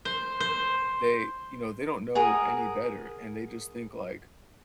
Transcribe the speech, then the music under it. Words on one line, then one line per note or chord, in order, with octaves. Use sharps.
they, you know, they don't know any better, and they just think, like,
C5
C5
G#4 A#4 F#5 D#6